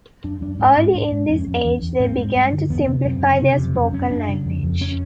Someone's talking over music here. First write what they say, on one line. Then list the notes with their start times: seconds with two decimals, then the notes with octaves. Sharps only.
Early in this age, they began to simplify their spoken language.
0.24 F#2 D4
0.41 F#2 D4
0.60 G#2 C#4
0.77 G#2
0.95 G#2 D4
1.12 G#2
1.29 F2 C#4
1.47 F2
1.65 E2
1.82 E2
2.00 G#2 C4
2.17 G#2
2.35 G2
2.53 D3
2.70 E2 B3
2.88 C3
3.05 F#2 C4
3.22 C#3
3.40 C3
3.58 F2
3.75 F#2 C#4
3.93 F#2 C#4
4.10 F#2 D4
4.28 C#3
4.45 F2
4.63 F2
4.81 C#4